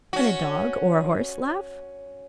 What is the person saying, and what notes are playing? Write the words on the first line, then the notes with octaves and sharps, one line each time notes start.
Can a dog, or a horse laugh?
C#4 F#4